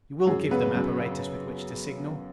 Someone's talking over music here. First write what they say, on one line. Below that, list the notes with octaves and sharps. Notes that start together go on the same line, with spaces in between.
"You will give them apparatus with which to signal?"
F#4
F#2 G#4
C#3 B3 B4
F#2
C#3